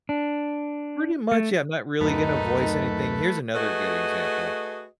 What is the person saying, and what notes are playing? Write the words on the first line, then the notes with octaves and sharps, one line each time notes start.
Pretty much, yeah, I'm not really gonna voice anything. Here's another good example.
D4
A3
D1 F#2 D#3 A3 D#4 B4
A3 F#4 G#4 B4 D#5